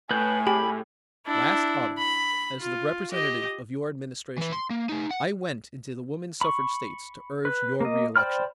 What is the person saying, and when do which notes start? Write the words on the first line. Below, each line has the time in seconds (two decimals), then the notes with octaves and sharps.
Last autumn, as the representative of your Administration, I went into the woman suffrage states to urge your reelection.
0.11 A2 B4 G#5 G6
0.47 G4 G#4 B5
1.26 D4 E4
1.98 B5
2.60 F4
3.11 G4 D#5
4.38 E3 B4
4.53 C6
4.70 A#3
4.89 A3 D#4
5.11 F#5
6.41 B5 C#6
7.45 B4
7.81 A#3 D#5
8.16 C5 D5 G5 B5 F6